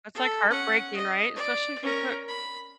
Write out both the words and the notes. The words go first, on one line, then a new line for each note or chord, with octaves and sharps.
It's like heartbreaking, right? Especially if you put
A4
C#4 F#5
D#5
D5
C#4 A#4
B5